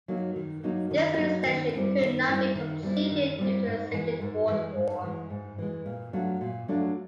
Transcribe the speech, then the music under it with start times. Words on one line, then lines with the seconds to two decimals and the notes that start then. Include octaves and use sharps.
This route extension could not be completed due to the Second World War.
0.08 F#3 A#3 D#4
0.36 D#3
0.63 F#3 A#3 D#4
0.91 D#3
1.18 F#3 A#3 D#4
1.46 D#3
1.73 G3 C4 E4
2.01 D#3
2.28 G3 C4 E4
2.55 D#3
2.83 G3 C4 E4
3.11 D#3
3.38 G3 C4 E4
3.66 G#2
3.94 E3 G#3
4.21 G#2
4.49 E3 G#3
4.76 G#2
5.03 E3 G#3
5.30 G#2
5.58 E3 G#3
5.86 A#2
6.13 F#3 A3 D4 F4
6.41 A#2
6.68 F#3 A3 D4 F4